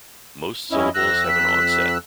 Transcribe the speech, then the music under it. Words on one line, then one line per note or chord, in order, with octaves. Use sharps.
Most syllables have an onset.
F2 C#4 E4 D#5
F2 E6 F#6 A#6
B6